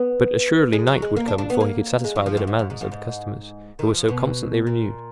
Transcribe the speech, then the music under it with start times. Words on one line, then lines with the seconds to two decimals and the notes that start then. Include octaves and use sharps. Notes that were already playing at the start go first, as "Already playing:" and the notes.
But assuredly night would come before he could satisfy the demands of the customers, who were so constantly renewed.
Already playing: B3
0.73 G#3
0.87 F#3
1.02 G#3
1.16 A#3
1.28 D4
1.38 D4
1.50 B3
1.61 A#3
2.04 G#3
2.16 F#3
2.26 F3
2.37 F#2
2.47 G#2
2.59 F#2
2.70 G#2
2.81 F#2
2.92 G#2
3.79 D#3
3.94 F3
4.08 B2
4.67 A#2